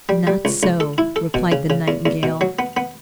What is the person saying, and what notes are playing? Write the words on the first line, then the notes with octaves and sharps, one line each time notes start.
"Not so," replied the Nightingale.
G3
G3
C#2
C#2
A4
E4
A4
B2
C#3
C#3
E2
E2
B2
F#3
B3
B3